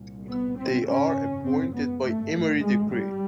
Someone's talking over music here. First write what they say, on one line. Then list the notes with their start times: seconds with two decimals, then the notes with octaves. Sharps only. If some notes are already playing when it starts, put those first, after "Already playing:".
They are appointed by Emiri decree.
Already playing: C2 A#2
0.29 B3
0.57 C4
0.86 G#1 F#2 C#3 C#4
1.44 C4
1.73 B3
2.03 G#1 G2 A3
2.60 G#3
2.90 G3